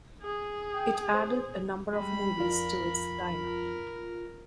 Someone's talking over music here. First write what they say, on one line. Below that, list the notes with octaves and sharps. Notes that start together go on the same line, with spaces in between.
It added a number of movies to its lineup.
G#4
G5
C5
G3 G#3 B5
F2 F4 A#4 D5
A#4